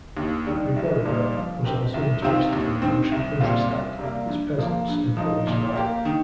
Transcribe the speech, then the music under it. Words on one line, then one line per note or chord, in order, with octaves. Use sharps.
Grigoriev was also interested in the Russian countryside, its peasants and village life.
D#2
D#3 G3
C2
A#2 G3 D#4
F3
C4 G4 A#4
C2
C3 D#3 C4 F4
D#2
D#3 C4
C2
A#2 G3 C4 F4
C2
C3 G3 A#3
G2
F3 A#3
G2
F3 D#4
A#2
A#3 G4
D#3